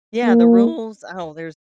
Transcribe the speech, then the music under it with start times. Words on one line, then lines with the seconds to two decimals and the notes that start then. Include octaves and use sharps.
Yeah, the rules? Oh, there's
0.24 A#3